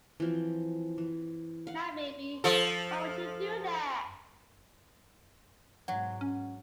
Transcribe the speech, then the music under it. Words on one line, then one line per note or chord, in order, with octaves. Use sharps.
Now, baby, why would you do that?
E3 F3 C4
E3
F5 F#5
F3 A4
G#2 B2 F#3 F#5
C#4